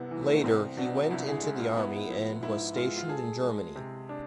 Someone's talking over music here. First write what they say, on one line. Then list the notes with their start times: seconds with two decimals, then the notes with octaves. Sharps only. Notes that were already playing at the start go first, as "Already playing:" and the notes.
Later, he went into the army and was stationed in Germany.
Already playing: C2 C3 B3 E4
0.11 E3
0.23 A3
0.34 B3
0.44 C2 C4
0.77 B2 D4
1.10 C2 E4
1.27 G#4
1.43 G#3 G#4
1.60 F4
1.77 B3 E4
2.10 F3 E4
2.43 G#2 E4
2.76 G#3 F4
2.98 F4
3.09 G#4 A4
3.42 G#3
3.76 C3
4.09 D4